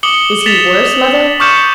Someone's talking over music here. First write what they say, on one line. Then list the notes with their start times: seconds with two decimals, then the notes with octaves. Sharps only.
"Is he worse, mother?"
0.03 D6 D#6 C#7 F#7 G7
0.46 A6 B6 E7 F7
0.94 F#7
1.40 C#6 D6 F6 G6 C#7 E7